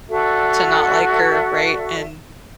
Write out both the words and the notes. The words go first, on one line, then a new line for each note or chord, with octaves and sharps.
to not like her, right, and
F#4 A4 D5 E5